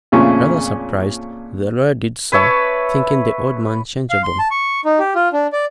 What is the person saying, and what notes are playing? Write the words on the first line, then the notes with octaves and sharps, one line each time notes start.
Rather surprised, the lawyer did so, thinking the old man changeable.
F2 A#2 C#3 A3 C#4
B4 C#5 E5 A5
F5
C6
A5
C#6
D#4
G4
F4
D4
D5